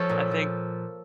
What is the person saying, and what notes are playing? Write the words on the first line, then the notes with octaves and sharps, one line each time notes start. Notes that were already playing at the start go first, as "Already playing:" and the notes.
I think
Already playing: F3 A4 C#5
A#2
F3